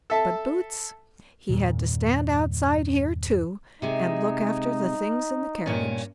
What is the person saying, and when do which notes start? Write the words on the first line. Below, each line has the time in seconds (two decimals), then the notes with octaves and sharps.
But Boots, he had to stand outside here too, and look after the things in the carriage.
0.10 A4 E5 A5
1.49 E2 G2 A#2 D#3
3.82 C3 G#3 D#4
5.66 G2 A#2 C#4